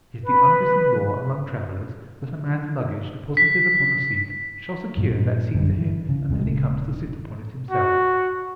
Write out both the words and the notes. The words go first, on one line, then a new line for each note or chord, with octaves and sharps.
It is the unwritten law among travellers that a man's luggage deposited upon a seat, shall secure that seat to him until he comes to sit upon it himself.
B4
B6
G2 A#2
F#2 D3 G3
E3
C#3
D#1 A#2 C#3 G#3
F#4